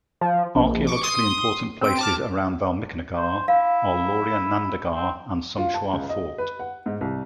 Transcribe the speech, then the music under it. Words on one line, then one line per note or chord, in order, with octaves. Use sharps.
Archaeologically important places around Valmikinagar are Lauriya-Nandangarh and Someshwar Fort.
F3
A#1
C#6 D6
C6 D#6
C4 D7
A5 D6 F6
C5
E4 F5
C4
F4
A5
C#2
D#5
B4
F#5
G#2
C2